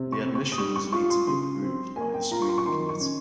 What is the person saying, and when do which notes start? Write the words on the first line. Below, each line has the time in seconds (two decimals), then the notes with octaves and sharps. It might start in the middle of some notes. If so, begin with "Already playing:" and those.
The admissions need to be approved by the screening committee.
Already playing: C3
0.12 C#6
0.24 C4
0.35 C#6
0.52 D#6
0.58 G3 C#6
0.76 C#6
0.92 F4 C#6
1.10 C6
1.27 C#3 C6
1.62 C4
1.96 A#3 G#5
2.14 G5
2.31 F4 A#5
2.42 C#6
2.48 C6
2.58 C#6
2.66 D#3 C6
2.89 C#6
3.01 C#4